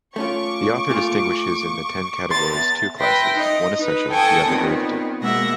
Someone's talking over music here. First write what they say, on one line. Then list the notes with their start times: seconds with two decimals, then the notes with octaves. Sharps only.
The author distinguishes in the ten categories two classes, one essential, the other derivative.
0.16 A3 C#4 F4 C#6 D6
0.90 A#2 A3 F4
2.31 E2 B3 C6 A6
2.99 B4 E5 G5 C6 A#6
3.38 D#4 D#5
3.77 D#4 B4
4.11 A4 G5 G#5 C#6 D#6
4.49 A#2 D#3 B3 C4
5.22 B2 G#3 A#3 E5 F#5 A#6